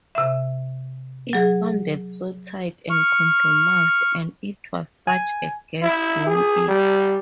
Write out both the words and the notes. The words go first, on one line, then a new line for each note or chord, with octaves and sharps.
It sounded so tight and compromised, and it was such a gas doing it.
C3 E5
F#3 G#4
C#6 F6
G#5
E4
G#4
G3